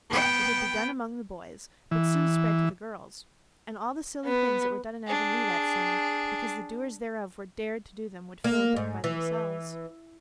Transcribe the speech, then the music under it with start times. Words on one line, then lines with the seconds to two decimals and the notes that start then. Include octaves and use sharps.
It had begun among the boys, but soon spread to the girls, and all the silly things that were done in Avonlea that summer because the doers thereof were "dared" to do them would fill a book by themselves.
0.10 B3 G5
1.91 E3
4.25 B3
5.07 D4 G#4
8.44 A#3
8.76 G#2
9.04 E3